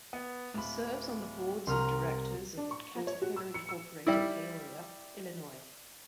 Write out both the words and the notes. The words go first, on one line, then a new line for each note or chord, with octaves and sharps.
He serves on the boards of directors of Caterpillar Incorporated Peoria, Illinois.
B3
D1 B5
C2 A#5 C6 F6
D4
C#6
F3
C#5
F#4
E6
C#7
E6
G3 E4